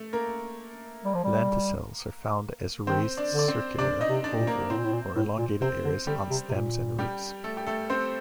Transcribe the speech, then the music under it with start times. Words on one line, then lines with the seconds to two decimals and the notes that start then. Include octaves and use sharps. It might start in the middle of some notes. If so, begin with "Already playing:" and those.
Lenticels are found as raised circular, oval, or elongated areas on stems and roots.
Already playing: A3
0.13 A#3 A#4
1.05 G3
1.14 F3
1.24 G3
2.87 D#3 C4 C5
3.17 D4 D5
3.33 D3
3.39 D5
3.48 C4 C5
3.78 C3 D4 D5
4.01 D#4 D#5
4.09 C3
4.24 D4 D5
4.39 A#2
4.47 A#3 A#4
4.70 A2 C4 C5
4.78 A#2
4.84 A2
4.93 A#2
5.16 A2
5.38 A#2
5.61 C3 C4 C5
5.84 D3
6.07 D3 G3 G4
6.30 C3
6.49 C3
6.53 A#2
6.99 G3 G4
7.44 A3 A4
7.57 G4
7.67 A3 A4
7.90 C4 C5